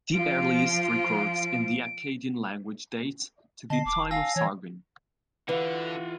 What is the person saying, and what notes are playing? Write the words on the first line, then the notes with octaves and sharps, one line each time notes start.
The earliest records in the Akkadian language date to the time of Sargon.
F3 F4 D7
D3 D#5 A5 C7
E1 D6
F5 G#5 E6 A#6
E3 C#5
D3 E3 F4 B4 F5 F#5